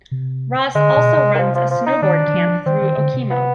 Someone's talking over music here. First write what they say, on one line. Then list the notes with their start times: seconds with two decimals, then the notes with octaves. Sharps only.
Ross also runs a snowboard camp through Okemo.
0.11 C3
0.75 D3 G#3
0.97 B2
1.17 C3
1.34 D#3
1.38 F3
1.55 F3
1.70 F3
1.86 D#4
2.02 D#3 D4
2.27 D#3
2.34 F3
2.66 D#3 C4
2.82 D#3
2.98 D3
3.14 C3
3.30 B3